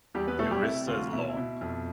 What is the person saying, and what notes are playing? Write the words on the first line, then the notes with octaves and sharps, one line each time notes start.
The arista is long.
E2 G3 G4
B3 B4
B2 A3 A4
G3 G4
C3 E4
D2 F4
B2 E4
E4
B2
F2